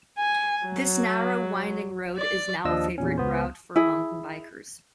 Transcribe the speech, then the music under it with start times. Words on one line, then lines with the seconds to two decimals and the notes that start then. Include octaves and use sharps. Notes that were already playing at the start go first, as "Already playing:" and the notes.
This narrow winding road is now a favourite route for mountain bikers.
0.18 G#5
0.66 F#3
2.17 D5
2.65 D#2 F3 D4 D#5 E6
2.98 E2 A#2 C#4
3.18 C#2 B3 C5
3.76 E4 G#4